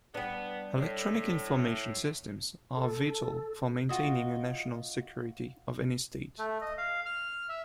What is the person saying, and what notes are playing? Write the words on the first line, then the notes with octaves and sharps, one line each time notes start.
Electronic information systems are vital for maintaining a national security of any state.
G3 B3 D4
A2
A4
F4 F#4 D#5
A3
D#5
F5
F6
E5